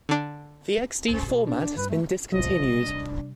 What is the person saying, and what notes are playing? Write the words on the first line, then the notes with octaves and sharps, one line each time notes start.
The xD format has been discontinued.
D3 D4
C#4
B2
D4
G2 B4
A3
C3 F3 G3 D#5
D4